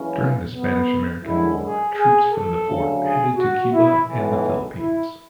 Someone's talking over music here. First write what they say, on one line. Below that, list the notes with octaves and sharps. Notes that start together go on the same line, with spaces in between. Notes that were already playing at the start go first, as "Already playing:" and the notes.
During the Spanish-American War, troops from the fort headed to Cuba and the Philippines.
Already playing: F#1 F#2 C#3 E3 C#4
B3
F#2 D3 G#3 E4
G#4
G#4
A4
D2 C#3 F#3
G#4
F#4
E4
B1 A2 E3
E4